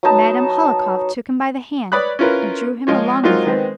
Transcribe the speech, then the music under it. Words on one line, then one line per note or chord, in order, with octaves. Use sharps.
But Madame Hohlakov took him by the hand and drew him along with her.
F#3 B3 D#4 A5
B4 C#5 D5 B5 D#6 F#6
C#4 E4 F4 A#4 B4
F3 G#3 F4 C#5
F#3 G#3 A#3 C4 D#4 F4
D#3 G#3 B3 C4